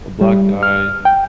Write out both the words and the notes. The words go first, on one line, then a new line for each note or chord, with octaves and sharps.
a black guy
G3
F6
G5